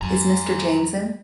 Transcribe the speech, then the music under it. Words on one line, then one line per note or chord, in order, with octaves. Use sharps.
Is Mr. James in?
F2 F#3 G#5 A#5